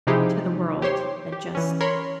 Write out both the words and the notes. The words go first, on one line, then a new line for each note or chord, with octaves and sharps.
to the world than just
C3 F3 D#4 E4 G4 G#4
G4 C5 C#5 C6
G4
E3 C#4
A#4 C#5 B5 C6